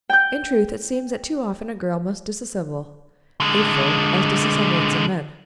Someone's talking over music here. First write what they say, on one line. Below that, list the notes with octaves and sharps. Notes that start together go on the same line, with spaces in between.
In truth it seems that too often a girl must dissemble--hateful as dissemblance in men.
G5 G6
D3 G#3